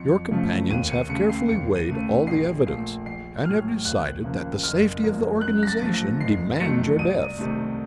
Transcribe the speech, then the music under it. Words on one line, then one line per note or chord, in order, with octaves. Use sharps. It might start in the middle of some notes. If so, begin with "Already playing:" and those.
Your companions have carefully weighed all the evidence, and have decided that the safety of the organization demands your death.
Already playing: F2 C#7
C#3 F3 A3
D#2 D#7
C#7
C#3 A3 C#7
C7
D#2 C#7
D#7
C#3 A3
A#1 C7
A#2 A3 C7
A#1 C7
A2 F#3 F6
D#2 F#6
C#3 F3 A#3
F#1 F6
F#2 F3 A#3
F#2 F#6
A#6
A6
F3 A3
A#6
F#1 C7
F2 D#3 F#3 A3 C#7
C2 D#7
C3 D#3 A3